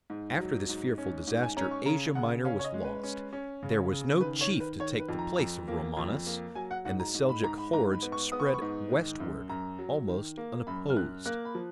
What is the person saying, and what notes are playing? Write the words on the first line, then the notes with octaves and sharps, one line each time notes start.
After this fearful disaster Asia Minor was lost; there was no chief to take the place of Romanus, and the Seljouk hordes spread westward almost unopposed.
G#2
F#3
G#2
C#4
G#2
G#5
C#4 A#5
C#6
C#3 A#5
C#3 F#5
C#4 F5
C#5
D#5
G#3
B4
C#4
C#4
C#3
C#3
D#3 B4
C#5
D#3
B4
D#3 C#5
B4
F2
A#5
F2
A#3
F2
A#3
F#3 G#5
F#5
G#2 F#5
A#5
G#2
B5
G#2 A#5
B5
G#2 A#5
B5
B3
C#6
B3 D#6
C#6
B5
C#6
G#2
D#3
F#2
F#2 A#5
F#3
D#3
A#3
F#2 B5
F6
F#2 F#6
A#3 F#6
B5
F3